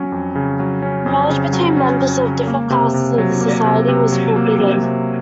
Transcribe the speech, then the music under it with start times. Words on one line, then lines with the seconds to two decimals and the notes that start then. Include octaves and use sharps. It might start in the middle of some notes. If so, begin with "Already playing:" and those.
Marriage between members of different classes of the society was forbidden.
Already playing: F#3 C#4
0.12 F2
0.35 C#3
0.59 F#3
0.82 C#4
1.06 F2
1.30 C#3
1.53 F#3
1.77 C#4
2.00 F2
2.24 C#3
2.47 A#3
2.70 C3
2.94 C3
3.18 F#3
3.41 A#3
3.65 C3
3.88 C3
4.12 F#3
4.36 A#3
4.59 C3
4.83 C3